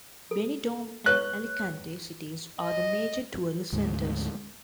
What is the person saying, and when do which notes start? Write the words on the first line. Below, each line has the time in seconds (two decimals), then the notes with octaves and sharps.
Benidorm and Alicante cities are the major tourist centres.
0.31 A4
1.06 B4 C#5 C#6 F#6
2.61 D#5
3.73 D2 G#2